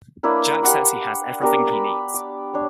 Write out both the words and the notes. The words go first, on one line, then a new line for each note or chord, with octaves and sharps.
Jack says he has everything he needs.
A#3 D4 E4 B4
G4 F5 F#5 B5
B3 D4 G4 A#4
B5
D6
D4 C#5